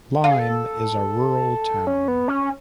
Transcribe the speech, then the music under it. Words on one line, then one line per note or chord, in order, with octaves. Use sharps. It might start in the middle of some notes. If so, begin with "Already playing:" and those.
Lyme is a rural town.
A4 F5
G#4
A4
C#4
B3
C#4